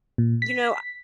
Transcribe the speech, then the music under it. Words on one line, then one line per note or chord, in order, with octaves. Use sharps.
you know, I
A#2
B6